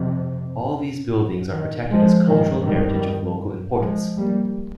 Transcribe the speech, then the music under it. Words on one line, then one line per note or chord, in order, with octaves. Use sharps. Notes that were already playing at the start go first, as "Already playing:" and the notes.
All these buildings are protected as cultural heritage of local importance.
Already playing: F2 C3
D#3
F3 G#3
G2 D#3
D#3 G3
F3 G#3
G3 A#3